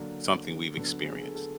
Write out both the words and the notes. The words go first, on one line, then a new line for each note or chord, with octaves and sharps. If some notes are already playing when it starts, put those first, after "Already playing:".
something we've experienced.
Already playing: D3 F#3 A#3 D4
D3 F#3 B3 D4
A4
G#4
G#4
A4
A4